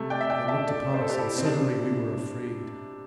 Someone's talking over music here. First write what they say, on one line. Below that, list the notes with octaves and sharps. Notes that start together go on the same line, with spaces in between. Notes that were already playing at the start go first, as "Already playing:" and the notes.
But they looked upon us, and suddenly we were afraid.
Already playing: C3 A3
D5 G5
E5
D5 G5
E5 A5
A4 D5
C5
A4
G4 C5
E4 A4
C4
C3 G3 D4